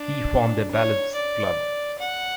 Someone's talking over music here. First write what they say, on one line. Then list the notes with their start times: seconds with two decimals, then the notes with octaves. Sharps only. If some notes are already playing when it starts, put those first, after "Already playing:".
He formed a Ballads Club.
Already playing: D4
0.72 C#5
1.15 D5
1.99 F#5